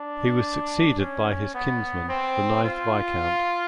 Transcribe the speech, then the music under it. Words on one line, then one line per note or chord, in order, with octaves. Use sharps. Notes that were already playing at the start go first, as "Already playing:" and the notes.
He was succeeded by his kinsman, the ninth Viscount.
Already playing: D4
C#4
B3
C4
F4